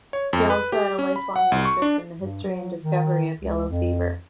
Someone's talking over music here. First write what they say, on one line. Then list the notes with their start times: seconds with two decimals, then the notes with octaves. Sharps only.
He also had a lifelong interest in the history and discovery of yellow fever.
0.13 C#5
0.33 F2
0.50 B4
0.72 G4
0.99 C#4
1.16 B5
1.36 F#5
1.52 C2
1.65 C#6
1.82 D4
2.20 G2
2.44 F#3
2.82 D#3
3.39 C#2
3.69 F2